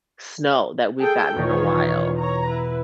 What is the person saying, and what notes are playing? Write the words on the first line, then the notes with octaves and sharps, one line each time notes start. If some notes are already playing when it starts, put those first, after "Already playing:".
snow that we've gotten in a while.
G#4 A4 G5
E2 B2 D#3 F4 C#5
C#5 A#5
E4 B4